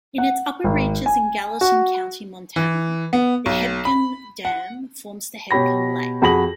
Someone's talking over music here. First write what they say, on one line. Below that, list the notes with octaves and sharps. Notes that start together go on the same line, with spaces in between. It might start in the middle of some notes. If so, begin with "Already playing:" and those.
In its upper reaches in Gallatin County, Montana, the Hebgen Dam forms Hebgen Lake.
F#5
G#1
G#5
F#4
E3
B3
B1
B5
F#5
B2 G4 C#5 B5 A#6
F2 F#4 G#4 B5 A#6 F#7